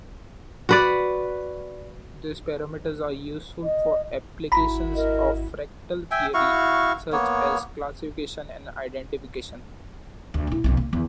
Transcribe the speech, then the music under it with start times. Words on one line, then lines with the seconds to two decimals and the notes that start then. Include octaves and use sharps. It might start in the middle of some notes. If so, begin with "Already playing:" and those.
These parameters are useful for applications of fractal theory such as classification and identification.
0.69 F#4 B4 D5
3.64 D#5
4.52 G#1 E4 F#4 A#5 B5
4.95 A#4 D#5
6.11 E5 G5 G#5
6.34 E4 F#4 F5 C#6
7.12 A#3 B3 C#5
10.34 D2
10.47 A#1 E4
10.64 B1 F2
10.77 D3 A#3
10.93 E2 D#3